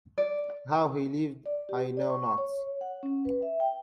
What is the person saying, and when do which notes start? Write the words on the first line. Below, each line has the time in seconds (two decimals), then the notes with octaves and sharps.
How he lived I know not.
0.18 D5
1.46 D5
1.69 G4
1.97 D5
2.10 C#6
2.38 C#5
2.81 F#5
3.03 C#4
3.25 B4
3.42 E5
3.60 G5